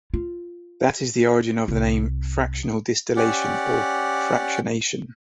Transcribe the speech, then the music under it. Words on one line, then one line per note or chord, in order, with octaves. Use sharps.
That is the origin of the name "fractional distillation" or "fractionation".
F4
C2
C#4 G4 D5 F#5